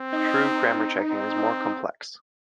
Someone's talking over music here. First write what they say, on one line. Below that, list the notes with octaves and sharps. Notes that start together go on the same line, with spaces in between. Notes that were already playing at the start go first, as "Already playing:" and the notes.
True grammar checking is more complex.
Already playing: C4
D#4
C4